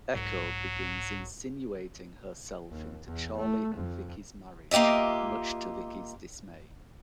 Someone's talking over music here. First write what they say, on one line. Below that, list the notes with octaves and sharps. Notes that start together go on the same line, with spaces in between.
Echo begins insinuating herself into Charlie and Viki's marriage, much to Viki's dismay.
B1 G#2 F#3
D#2
E2
A3
F2
A#3 F4 G4 D#5 E5